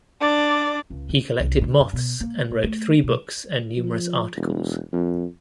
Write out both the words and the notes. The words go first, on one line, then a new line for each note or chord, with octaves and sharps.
He collected moths and wrote three books and numerous articles.
D4 D5
C#2
C4
C2
D3
F#2
B2
A#3
A#2
A3
B2
F3
E1
F2